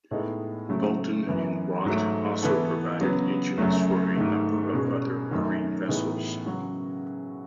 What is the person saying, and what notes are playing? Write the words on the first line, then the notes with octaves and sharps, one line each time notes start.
Boulton and Watt also provided engines for a number of other marine vessels.
A2 G#3 B3 D#4 A4
C#3 F#3 A3
F#2 E3 B3
G#2 F#3 A3
E3 B3 E4 A4
C#3 F#3 B3
F#2 C#3 F#3 A3
G#2 D#3 A3
B2 G#3 C#4 G#4
F#2 D#3 A3
A2 E3 B3 D#4 G#4
C#3 F#3 C#4 F#4